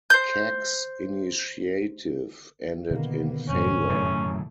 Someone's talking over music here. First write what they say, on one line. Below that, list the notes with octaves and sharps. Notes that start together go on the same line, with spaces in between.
Kak's initiative ended in failure.
C5 G6
B2 D3 D#3 A#3 B3
F1 G#2 C4 C#4
F#2 A2 C#3 A3